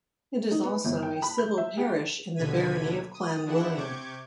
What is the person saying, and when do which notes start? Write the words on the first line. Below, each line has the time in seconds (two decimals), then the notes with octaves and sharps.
It is also a civil parish in the barony of Clanwilliam.
0.51 D#4
0.63 B3
0.84 G1
1.03 G5
1.22 B5
1.38 G6
1.58 E5
1.77 G4
2.36 D#2 B2 D3 G#6 B6 D#7
3.14 D#6
3.46 E2 D4 E4 F#5 E7
3.76 C3 C#6 D6 G6 G#6